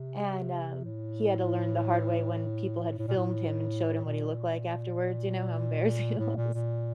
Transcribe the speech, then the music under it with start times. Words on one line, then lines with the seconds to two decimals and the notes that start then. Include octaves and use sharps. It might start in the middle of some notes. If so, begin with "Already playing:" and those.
and, um, he had to learn the hard way when people had filmed him and showed him what he looked like afterwards, you know how embarrassing it was.
Already playing: C3
0.84 A2
2.99 A2
3.08 A#2
3.16 A2
4.04 A#2
6.18 A2
6.36 A#2
6.54 A#2